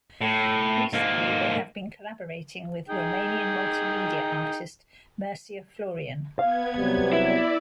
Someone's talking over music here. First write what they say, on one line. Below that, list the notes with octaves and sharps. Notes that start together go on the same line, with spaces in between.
Recently, they have been collaborating with Romanian multimedia artist Mircea Florian.
A2
G#2 A#3
D#4 G#4 G5
B3 F5 G#6
C3 F#3 G3
E4 D5